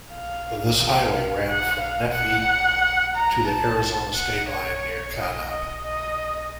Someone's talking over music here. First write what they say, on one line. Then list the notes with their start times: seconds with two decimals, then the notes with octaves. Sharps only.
This highway ran from Nephi to the Arizona state line near Kanab.
0.13 F5
0.80 F5
1.47 F#5
1.81 F5
2.14 F#5
3.16 A#5
3.48 A5
4.16 F#5
4.49 C#5
5.17 D#5
5.50 D#5
5.84 D#5